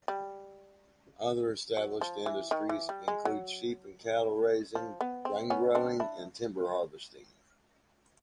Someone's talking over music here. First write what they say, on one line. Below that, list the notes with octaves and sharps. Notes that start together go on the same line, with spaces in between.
Other established industries include sheep and cattle raising, grain growing and timber harvesting.
G3
F#3
F3
E3
D#3
E3
G3
G#3
F#3
F3
B3
C4
B3 C#4
C4 D4
D4 E4